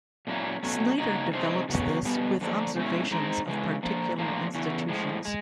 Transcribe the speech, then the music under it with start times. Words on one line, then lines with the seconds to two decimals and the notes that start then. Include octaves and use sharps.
Snyder develops this with observations of particular institutions.
0.27 A#2 F#3 A#3 C#4 E4
0.63 B2 F#3 A3 C#4
0.98 C#3 F#3 A#3 D#4
1.33 C3 F3 G#3 C4 D#4
1.69 C#3 F#3 B3
2.05 B2 G3 B3
2.41 D3 F3 A#3 D4
2.75 B2 G#3 C#4 E4
3.11 G#2 D#3 G#3 C4 D#4
3.47 C#3 E3 G#3
3.83 D3 F3 A#3
4.18 A2 F3 A#3
4.54 E2 C#3 E3
4.89 A2 F3 G#3
5.25 G#3